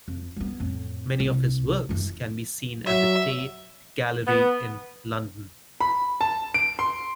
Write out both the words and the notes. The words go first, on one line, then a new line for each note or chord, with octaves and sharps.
Many of his works can be seen at the Tate Gallery in London.
F2
G3 B3
F2 A2
C2
F#2 E3
F#3 E5
B3
B5
A5
D7
C6